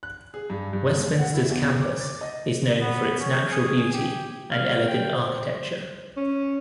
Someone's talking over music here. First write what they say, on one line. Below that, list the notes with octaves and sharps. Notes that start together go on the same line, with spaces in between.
Westminster's Campus is known for its natural beauty and elegant architecture.
F#6
G#4
G2
G2
D#2
F#5
E4
E2
D6
A6
D#5
B3
C#4
G#4
G4
F5
G5
C5
C#4